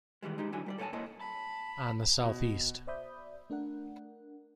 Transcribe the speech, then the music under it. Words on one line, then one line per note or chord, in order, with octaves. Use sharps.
On the Southeast.
D#3 E3 G3 G#3
G#3 D#4 G4
D3 F#3 E4 G#5
G3 B4 D5
A4 C#5 D5 F5 G#5 A5
A#3 E4 A4 C5 C#5 D#5
A5 B5
B2
C5 D5 E5 B5 D#6 G6
A3 D4 A#4 F#5